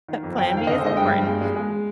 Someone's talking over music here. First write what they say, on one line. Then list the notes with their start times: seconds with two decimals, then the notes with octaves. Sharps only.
plan B is important,
0.08 D#3
0.23 F2
0.38 F2 G5
0.48 G5
0.53 D#3 F5
0.67 D3 D#5
0.78 C5
0.82 G#3 D#5
0.97 G2 G5
1.12 G2
1.26 G#3
1.41 G#3
1.56 G#3